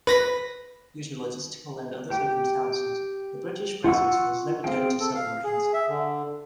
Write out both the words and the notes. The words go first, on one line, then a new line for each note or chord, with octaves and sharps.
Due to logistical and other circumstances the British presence was limited to submarines.
B4 A#6 B6
G4 G5
F4 F#5 C#6 E6
C4 G#4 F5 G5
A4
F5
G#4
E5
D3